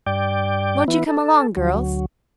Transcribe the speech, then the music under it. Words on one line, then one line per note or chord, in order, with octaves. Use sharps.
"Won't you come along, girls?"
G2 D5 G5
E3 B3 E4
A4
D2 F#3